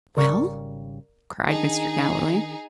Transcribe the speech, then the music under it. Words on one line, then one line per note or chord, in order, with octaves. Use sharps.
"Well?" cried Mr. Galloway.
G#1 C#3 G3 A#4 D5 C#6
D#3 D4 D#4 G#4